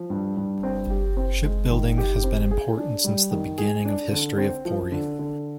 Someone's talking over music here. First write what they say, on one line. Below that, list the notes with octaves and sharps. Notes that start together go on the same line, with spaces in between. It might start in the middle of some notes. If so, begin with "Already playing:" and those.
Ship building has been important since the beginning of history of Pori.
Already playing: F3
G2
G2
C4
G4
C4
G#3
D#3
G4
C4
G#4
D4
G3
D#3
G#4
D4
D3
C4
F3
D3
D3